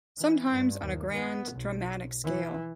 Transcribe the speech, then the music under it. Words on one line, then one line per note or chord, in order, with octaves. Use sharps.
Sometimes on a grand, dramatic scale.
E3
G2
D#2
B3
B1
E3